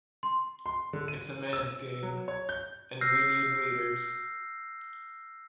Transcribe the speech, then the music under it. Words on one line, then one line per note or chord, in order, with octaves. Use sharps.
It's a man's game — and we need leaders.
C6
C6
D3
D#7
E6
F#3
C#5
G6
E6 F6 G6 A#6 C7